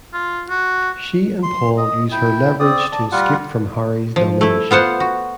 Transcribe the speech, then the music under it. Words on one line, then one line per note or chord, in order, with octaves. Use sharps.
She and Paul use her leverage to escape from Harry's domination.
F4
F#4
C6
D#5
E4 G5
C4 D5 D#6
D5 A5
G3 F4 F#5
F3
A3 E4
B3 F4 C5 F#5
F#4